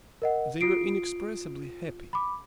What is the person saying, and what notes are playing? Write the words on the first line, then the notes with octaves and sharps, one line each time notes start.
They were inexpressibly happy.
A#4 D#5 F#5
F4 D#6 C7 D7
B5 D6